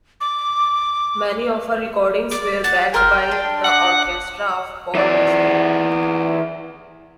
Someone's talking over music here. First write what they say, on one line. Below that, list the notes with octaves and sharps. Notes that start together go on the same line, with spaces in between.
Many of her recordings were backed by the orchestra of Paul Weston.
D6
D5 D6
F#5 A6
A#4 G5 C6 F6
D4
D#5 F#5 D6
E3 D5